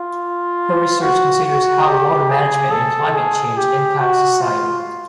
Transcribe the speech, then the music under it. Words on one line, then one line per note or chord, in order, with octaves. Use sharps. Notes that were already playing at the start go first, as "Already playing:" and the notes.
Her research considers how water management and climate change impact society.
Already playing: F4
F#4
F#4
G4
G#4
A4
G#4
G4
F#4
F4